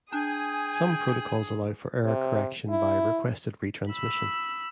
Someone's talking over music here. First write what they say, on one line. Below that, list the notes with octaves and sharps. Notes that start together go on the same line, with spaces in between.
Some protocols allow for error correction by requested retransmission.
D4 G#4 G5 G#5 D#6
C3
E4
B5 E6